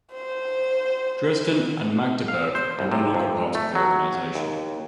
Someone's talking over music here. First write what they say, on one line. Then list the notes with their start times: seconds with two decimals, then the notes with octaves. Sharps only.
Dresden and Magdeburg are no longer part of the organization.
0.12 C5
2.28 F5
2.55 C5
2.79 C2
2.91 C3
3.14 F2
3.55 A3
3.75 F#3
4.35 D#2